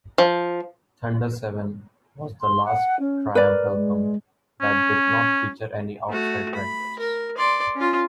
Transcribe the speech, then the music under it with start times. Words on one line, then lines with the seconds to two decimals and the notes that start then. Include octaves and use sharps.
"Thunder Seven" was the last Triumph album that did not feature any outside writers.
0.18 F3
2.40 C6
2.65 F#5
2.99 C#4
3.35 A#4 B4 D5
3.74 G#3
4.61 C#4
6.10 A3 F#4
6.55 B5
6.99 A#4
7.37 D5 C6
7.76 C#4 F4